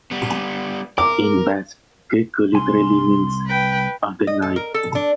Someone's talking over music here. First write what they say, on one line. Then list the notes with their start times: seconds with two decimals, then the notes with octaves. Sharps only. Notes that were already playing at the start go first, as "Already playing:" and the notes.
In Basque, Gaueko literally means "of the night".
0.11 G3 B3
0.98 A#4 D6
2.53 C2 G#5 C6
3.47 B4 G5
4.27 D#5
4.42 A4
4.56 A#4
4.74 A4
4.95 D4